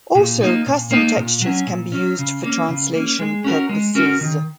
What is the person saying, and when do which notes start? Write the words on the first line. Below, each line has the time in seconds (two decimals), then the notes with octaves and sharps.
Also custom textures can be used for translation purposes.
0.15 A#2
0.41 A#3 D#4
0.67 A#2
0.91 A#3 D#4
1.17 A#2
1.41 F#3 C#4
1.67 A#2
1.92 F#3 C#4
2.19 C#3
2.43 A#3 C#4
2.69 C#3
2.94 A#3 C#4
3.20 G#3
3.44 C#4 F#4 A#4
3.69 G#3
3.95 C#4 F#4 A#4
4.21 D#3